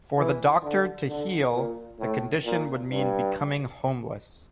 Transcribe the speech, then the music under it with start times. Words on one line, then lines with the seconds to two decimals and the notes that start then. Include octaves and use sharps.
For the doctor to heal the condition would mean becoming homeless.
0.18 E3
0.63 D3
1.09 D3
1.54 A#2
1.99 A2
2.45 A#2
2.91 G2